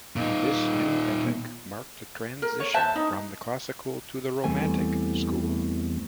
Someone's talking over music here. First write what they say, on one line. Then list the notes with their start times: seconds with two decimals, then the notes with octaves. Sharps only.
This new epic marked a transition from the classical to the romantic school.
0.16 A#2 D#4
2.42 A#4
2.60 C#5
2.74 B4 C5 E5 A5
2.96 D#4
4.44 E2 E3 G3 A3 C4 G#5